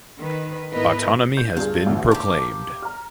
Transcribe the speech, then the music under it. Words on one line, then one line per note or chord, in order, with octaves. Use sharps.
Autonomy has been proclaimed.
D#3 B4
G#2 B3 E4 A#4 B4 D#5
G6
G2 F4 G#4
A1 D2 A2
A#3 G4 A5
A#5 F6